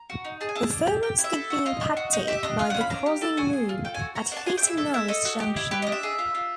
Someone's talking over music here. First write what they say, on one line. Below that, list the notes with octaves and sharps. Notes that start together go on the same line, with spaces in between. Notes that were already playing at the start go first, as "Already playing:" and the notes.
Performance could be impacted by the crossing move at Heaton Norris Junction.
Already playing: A#5
F#4
D#4
G#4 A5
G#5
E4 A5
D4
G4
G4 G5
E4
E5
A4
F#4
F4 D#5
D4
F#4
D#4
G4 E5
D4 D#5
F4 F5
C#4 F#5
B5
D4 A#5
G4
A4 A5
F#4 G#5
G#4
F4
A4 G5
F#4 G#5
F#4 A#5
D4 A5
G#4 G#5
G5
E4 E5
A4 E5
E4 E5
A4 D#5
F#4
G4
E4
G4 B4
D4 D#5
E5
G#4
F4
F4